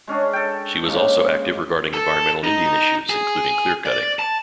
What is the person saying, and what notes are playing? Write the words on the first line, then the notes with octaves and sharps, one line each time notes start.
She was also active regarding environmental Indian issues, including clearcutting.
G#3 C#4 D4 G#4
A4 G5
C#3 G#3 A#3
A4
D#4
G#4
D5
A5